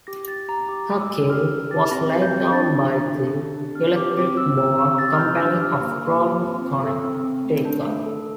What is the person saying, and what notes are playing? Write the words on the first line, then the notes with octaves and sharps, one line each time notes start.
Her keel was laid down by the Electric Boat Company of Groton, Connecticut.
G4 A#6
G4 A6
G4 A#5
G4 D6
A3 D6
E6
G4
G4 F6
G4
G4 A6
C4 A#6
G4
G6
C4
D4 A6
D4
D4
A4
D4
D4
C4 F6
G4 D6
C4 D6
C4 E6
G4 E6
C4 E6
G4 A6
F6
G4 G6
D4 E6
G4 F6
A#3
A#3
F4
C4
C4
A4
C4
C4
A3
D4
A3
A4